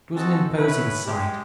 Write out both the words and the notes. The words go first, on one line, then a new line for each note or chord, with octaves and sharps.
It was an imposing sight.
C4 F#4 A4 D#5 G#5 A5
B3 C#4 E4 B4
G#3 G4